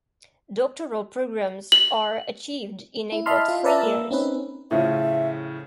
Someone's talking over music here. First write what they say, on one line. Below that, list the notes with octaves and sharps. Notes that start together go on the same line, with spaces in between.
Doctoral programmes are achieved in about three years.
F#7
E4
D#5 E5 A5 B5 C6 F6
F4
B4 D5 E5 A5 A#5
A#3 E6
C4 C#4 D#4 B4
A2 C#3 F3 E5